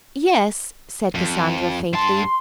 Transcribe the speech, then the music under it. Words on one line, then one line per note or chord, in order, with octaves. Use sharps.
"Yes," said Cassandra, faintly.
F2
G2 A5 C6